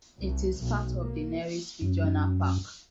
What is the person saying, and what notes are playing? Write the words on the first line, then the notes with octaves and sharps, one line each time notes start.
It is part of the Neris Regional Park.
C2
B1
A#3
F#2